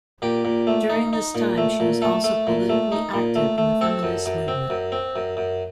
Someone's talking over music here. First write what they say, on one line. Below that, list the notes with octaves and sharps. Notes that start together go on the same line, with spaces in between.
During this time she was also politically active in the feminist movement.
A#2 G4
A#2
A3
D#4
D#4
A#2
A3
A#2
A3 A4
A3
A#2
A3
D#4
A#2
A3
A3
C4 A4
F#2
F#2
C4
F#2
C4
F#2
F#2